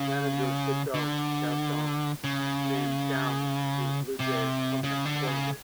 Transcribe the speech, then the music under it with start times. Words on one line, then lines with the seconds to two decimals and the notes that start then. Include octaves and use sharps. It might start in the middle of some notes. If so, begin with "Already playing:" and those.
Manager Cito Gaston named Downs the Blue Jays' permanent closer.
Already playing: C#3
0.94 D3
2.24 C#3
4.20 C3
4.84 C#3
5.05 D3
5.28 C#3